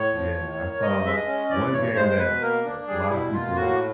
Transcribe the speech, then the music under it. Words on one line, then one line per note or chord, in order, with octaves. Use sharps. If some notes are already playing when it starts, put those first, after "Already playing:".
Yeah, I saw one game that, uh, a lotta people
Already playing: A2 C#5
F3
A2
A#3
G2 D#5
G#3 E5
D#5
C#4
E3 D5
G2 C#5
G#3 C5
C5
B2 B4
A#3 A#4
D4
G3 G#4
B2 E4
A#3 F4
A2 F#4